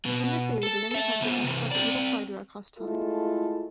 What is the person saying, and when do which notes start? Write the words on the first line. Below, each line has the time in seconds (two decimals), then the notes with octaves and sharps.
In this series, the young detective has to stop the evil Spydra across time.
0.05 B2
0.63 A4
0.91 A4 E5
1.21 C#3 B3
1.44 C3 E3
1.72 C4 D5
2.78 G#3 A3 E4 F4 A4